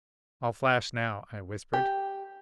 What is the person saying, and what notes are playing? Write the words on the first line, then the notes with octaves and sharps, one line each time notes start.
"I'll flash now," I whispered.
G4